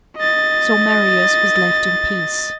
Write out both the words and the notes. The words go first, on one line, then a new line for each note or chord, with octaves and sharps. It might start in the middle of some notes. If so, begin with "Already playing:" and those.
So Marius was left in peace.
D#5 A6